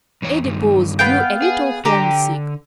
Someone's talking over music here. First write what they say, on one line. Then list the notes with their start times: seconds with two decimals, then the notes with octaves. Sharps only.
Adipose grew a little home-sick.
0.22 E2 E3 C#5
0.44 G2 D#3
0.99 B3 F5 G5
1.42 G#4
1.85 D3 G4 A#5